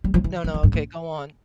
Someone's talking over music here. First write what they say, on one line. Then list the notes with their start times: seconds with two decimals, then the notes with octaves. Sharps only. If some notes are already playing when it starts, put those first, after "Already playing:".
No, no, okay, go on.
0.04 G3
0.14 F3
0.24 E3
0.44 F3
0.54 E3
0.63 G2
0.74 A2